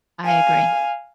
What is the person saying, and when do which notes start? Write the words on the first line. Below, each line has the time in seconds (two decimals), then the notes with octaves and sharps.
I agree.
0.25 F5 G#5